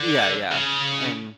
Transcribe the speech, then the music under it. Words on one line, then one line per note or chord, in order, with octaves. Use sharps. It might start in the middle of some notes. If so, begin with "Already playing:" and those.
Yeah, yeah, and
Already playing: D3
C#3